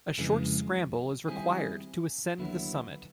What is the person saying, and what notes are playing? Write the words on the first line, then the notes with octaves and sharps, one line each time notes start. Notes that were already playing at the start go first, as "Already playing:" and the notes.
A short scramble is required to ascend the summit.
F2 C#3 E3 G#3
D#3 G3 C4 E4 G#4
D#2 D3 F#3 B3 E4